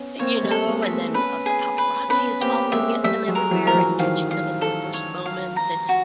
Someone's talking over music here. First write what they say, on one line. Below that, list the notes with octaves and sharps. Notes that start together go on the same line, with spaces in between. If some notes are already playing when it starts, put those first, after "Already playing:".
You know? And then, uh, the paparazzi is following it them everywhere and catching them at their worst moments and
Already playing: B3 C#4
A#3 C4 C#5
G3 A3
A4
G#3 A#3
E5
A3 B3
B3 C#4 B4
G#4
B4
B3 C#4 B4
A#3 C4 G4
G#3 A#3 E5
G3 A3 E5
F#3 G#3
A#4
E3 F#3
F3 A#4
E3 F#3
D#3 F3 F5
F5
A4
C#5
F5
A#5
F#4